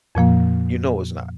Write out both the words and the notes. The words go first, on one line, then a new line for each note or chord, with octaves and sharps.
you know it's not,
F2 A#2 F3 A#3